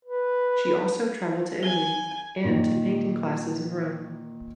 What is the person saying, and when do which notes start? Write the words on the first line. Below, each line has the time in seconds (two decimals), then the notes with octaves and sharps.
She also travelled to Italy and took painting classes in Rome.
0.05 B4
1.63 G#5 G7
2.44 A#2 D#3